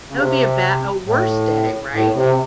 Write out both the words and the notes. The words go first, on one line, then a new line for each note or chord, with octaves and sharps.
that would be a bad a worst day, right?
C#3
C3
A2
A2
C3